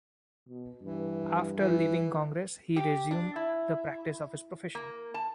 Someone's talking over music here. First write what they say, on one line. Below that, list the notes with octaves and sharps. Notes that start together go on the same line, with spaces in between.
After leaving Congress, he resumed the practice of his profession.
B2
G2 E3
E3
G4
D4
E4
A#3
A5